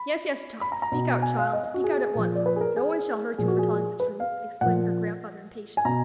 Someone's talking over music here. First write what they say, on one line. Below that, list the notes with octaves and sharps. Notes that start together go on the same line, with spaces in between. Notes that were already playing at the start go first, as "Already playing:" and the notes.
"Yes, yes, speak out, child; speak out at once; no one shall hurt you for telling the truth," exclaimed her grandfather, impatiently.
Already playing: B5
B5
A#5
A#5
B2
G#5
F5
D#5
D#5
F#4
G#4
A#2 F3
D5
B4
G#4
A#4
G#4
A#2 F3 G#4
F#4
G#4
B4
F5
A#2 F3 F#5
G#5
B2 A#5